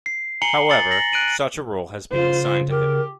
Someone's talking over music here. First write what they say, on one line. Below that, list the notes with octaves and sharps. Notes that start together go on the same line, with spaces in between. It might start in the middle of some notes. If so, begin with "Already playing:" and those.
However, such a role has been assigned to him.
C7
G#5 A#5 C7 C#7 F#7 G7
A6 C#7 F#7
A#6 F#7
F#6 D7 D#7 F#7
C#3 F4 C5
G4 A#4